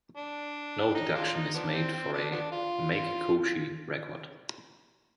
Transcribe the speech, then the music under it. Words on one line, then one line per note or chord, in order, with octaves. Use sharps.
No deduction is made for a "make-koshi" record.
D4
D#4
G#3 D4 F4
D#4
F3 B3 D4
C4
C4
D4
F3 B3 D4
F4
F4